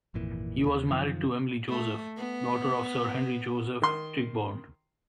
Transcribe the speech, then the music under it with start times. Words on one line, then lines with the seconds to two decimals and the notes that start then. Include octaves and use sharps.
He was married to Emily Joseph, daughter of Sir Henry Joseph Tichborne.
0.14 G#1 F2 A#2 E3
0.66 D#2 C#3
0.91 F#2 D#3 F3
1.68 A3
2.17 B3
3.82 D#3 C6